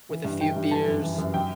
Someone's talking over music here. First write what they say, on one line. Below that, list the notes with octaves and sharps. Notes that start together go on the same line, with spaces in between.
with a few beers,
E3
G2
E3 G5
G2
E3 A5
F#2
E3
F#2
F#3 G5